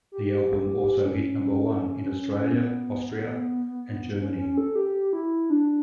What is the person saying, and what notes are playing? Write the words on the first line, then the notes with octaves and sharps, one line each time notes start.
The album also hit number one in Australia, Austria, and Germany.
G4
C#4
B3
C#4
C#4
A4
G4
E4
D4